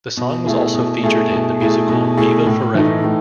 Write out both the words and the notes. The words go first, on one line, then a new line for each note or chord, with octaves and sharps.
The song was also featured in the musical Viva Forever!
B2
A3 E4 G#4
B2
A3 E4 G#4
B2
A3 E4 G#4
B2
A3 E4 G#4
A2
E3 A3 D#4
A2